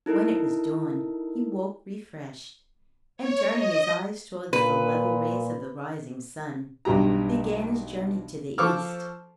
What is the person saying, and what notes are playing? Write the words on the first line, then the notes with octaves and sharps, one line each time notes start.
When it was dawn he woke refreshed, and turning his eyes toward the level rays of the rising sun, began his journey to the east.
D#4 E4 A4 A#4
C#5
D#5
A#2 B4
B1 G2 G4 A#5
F3 A4 C5 C#6 D6 F6